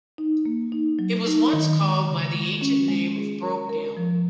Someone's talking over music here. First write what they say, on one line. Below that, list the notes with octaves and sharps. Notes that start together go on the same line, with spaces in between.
It was once called by the ancient name of 'Brokedale'.
D#4
A#3
D#4
F#3
D#4
D#3
G#3
C#3
G#3
C#4
G#3
G#4
A#4
A#4
F3